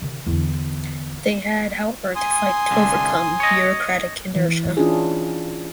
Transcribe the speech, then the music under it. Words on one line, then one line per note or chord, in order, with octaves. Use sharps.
They had, however, to fight to overcome bureaucratic inertia.
C3 D#3
E2 D3
G#5 C6 D#6
C2 D3
C#5 D#5
E3
C#4 D4 E4 F4 G#4